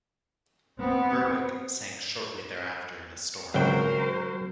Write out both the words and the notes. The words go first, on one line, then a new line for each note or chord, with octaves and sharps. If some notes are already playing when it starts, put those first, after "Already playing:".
"Berwick" sank shortly thereafter in a storm.
B3 C4
G#1 C#2 C#3 F#3 A#4 C5 G5